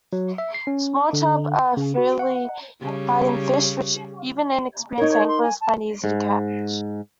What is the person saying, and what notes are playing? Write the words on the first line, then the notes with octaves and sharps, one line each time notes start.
Small chub are freely biting fish which even inexperienced anglers find easy to catch.
F#3
E5
C7
C#4
D3
C#3
F#4
F#5
C#3 G3
D#4 A#4 C#5
C#5
C6
G#5
A5
G#2